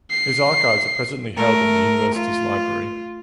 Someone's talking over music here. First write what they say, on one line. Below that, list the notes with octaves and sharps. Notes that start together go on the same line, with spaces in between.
His archives are presently held in the university's library.
C7
A3 A#4
F4